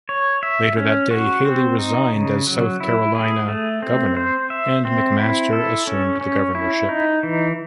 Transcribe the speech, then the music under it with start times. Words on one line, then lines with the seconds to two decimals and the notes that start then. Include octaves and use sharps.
Later that day, Haley resigned as South Carolina governor and McMaster assumed the governorship.
0.09 C#5
0.43 E5
0.77 C#4
1.11 F#4
1.45 C4
1.79 D#4
2.13 C#3
2.47 F#3
2.80 E4
3.15 G#4
3.48 A3
3.83 C4
4.17 C5
4.50 E5
4.85 C4
5.19 E4
5.53 A4
5.87 C#4
6.21 C#4
6.55 E4
6.89 D#4
7.23 E3